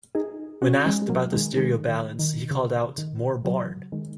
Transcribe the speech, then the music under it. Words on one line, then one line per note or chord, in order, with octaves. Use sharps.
When asked about the stereo balance, he called out, More barn.
D#4 G#4
C#4 F#4
G#3 C#4
G#3
F#3 A#3
D#3 G#3
D#3 G#3
D#3
D#3
C#3
D#3
C#3 F#3
D#3 G#3